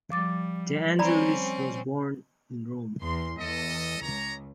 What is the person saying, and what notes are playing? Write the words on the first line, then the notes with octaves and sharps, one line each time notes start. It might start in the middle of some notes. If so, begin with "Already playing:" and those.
De Angelis was born in Rome.
F3 G3 D6 A6
G3 C4 C#4 D5 A#5 B5
E2 C6
E2 A4 D#5
C#2 C#5 A#5